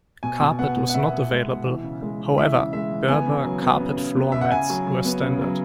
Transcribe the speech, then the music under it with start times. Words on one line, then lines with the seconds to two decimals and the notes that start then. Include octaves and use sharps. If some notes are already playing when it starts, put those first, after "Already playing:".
Carpet was not available, however berber carpet floor mats were standard.
0.23 B2 G#5
0.41 B2
0.59 B3 F#5
0.77 B2
0.90 F#5
0.94 B3 E5
1.12 B3
1.31 G#3
1.48 B2
1.66 E3
1.84 C#3
2.02 G#3
2.20 E3
2.37 E3 E5
2.55 C#3
2.73 G#3 E5
2.91 E3
3.08 B3 G#5
3.26 C#3
3.44 F#3
3.62 B3
3.80 C#3
3.98 C#3
4.17 B3
4.32 C#3 E5
4.41 F#5
4.52 C#3 G#5
4.70 F#3
4.87 F#3
5.05 B3
5.23 C#3
5.41 F#3